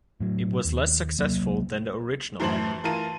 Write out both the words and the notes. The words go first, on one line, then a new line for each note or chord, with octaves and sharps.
It was less successful than the original had been.
A2 F#3
D#2
C2 F#3 A#3
F#2 A2 E3 C5 A5 F#7
E3 F4 A#4 A5 D#7